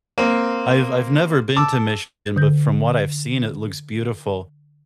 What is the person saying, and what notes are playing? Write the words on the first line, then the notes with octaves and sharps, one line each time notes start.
I've I've never been to Michigan, but from what I've seen, it looks beautiful.
A#3 C4
A5 D6 E6
D3 G6